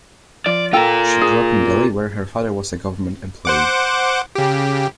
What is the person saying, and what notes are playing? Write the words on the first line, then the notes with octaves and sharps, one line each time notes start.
She grew up in Delhi where her father was a government employee.
F3 D5
F4 A4 A#4 G5 A5
G#4
C5 F#5 D6
C#3 G4